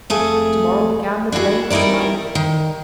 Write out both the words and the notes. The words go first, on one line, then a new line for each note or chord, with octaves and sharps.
To-morrow began the blameless life.
F2 A3 G#4
D4 E4 F#4 G#4
G3 D#4 E4 A#4 D5
D#3